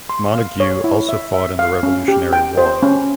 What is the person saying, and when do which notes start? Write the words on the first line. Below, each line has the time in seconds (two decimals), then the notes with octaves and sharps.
Montague also fought in the Revolutionary War.
0.09 C6
0.35 F5
0.60 C#5
0.84 E4
1.09 E5
1.34 E5
1.59 F5
1.83 C#4
2.08 G4
2.33 G5
2.57 C5
2.83 C#4